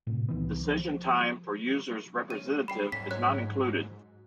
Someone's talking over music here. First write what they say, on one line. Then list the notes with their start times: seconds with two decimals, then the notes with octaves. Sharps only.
Decision time for users representative is not included.
0.07 A2 C3
0.29 C2 D#3 E3 B3
0.65 F3
2.30 A3 C#4 D#7
2.68 G3 G5 B5 C7
2.92 G#2 F#3 G3 C#4 B6
3.11 F#3 C#4 C#5 F#6